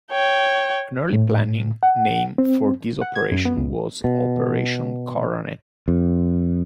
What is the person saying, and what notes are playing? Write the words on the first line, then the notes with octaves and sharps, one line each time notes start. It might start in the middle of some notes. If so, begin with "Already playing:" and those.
An early planning name for this operation was Operation Coronet.
C#5 G5
A2
F#5
C4
F#5
G#6
F#2
B3
C#2
B2
F2